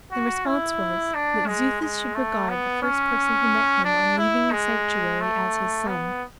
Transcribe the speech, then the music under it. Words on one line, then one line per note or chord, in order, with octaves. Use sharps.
The response was, that Xuthus should regard the first person who met him on leaving the sanctuary as his son.
F#4
E4
D4
G#3
G#3
A3
B3
C#4
D4
E4
G#3
A3
B3